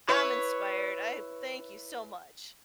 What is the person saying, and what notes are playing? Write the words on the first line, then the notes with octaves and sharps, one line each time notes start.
I'm inspired, I'm thank you so much.
E4 B4 C#5